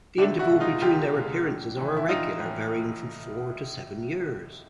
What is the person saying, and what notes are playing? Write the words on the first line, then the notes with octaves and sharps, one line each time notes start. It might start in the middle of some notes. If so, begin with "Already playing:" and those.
The intervals between their appearances are irregular, varying from four to seven years.
C#2 D4 E4
E4 F#4
B2 G#3
D#4 F4
C#2 F4 G4
B2 G#3
A#1
A2 E3
E4
A#1 D#4 F4
A2 E3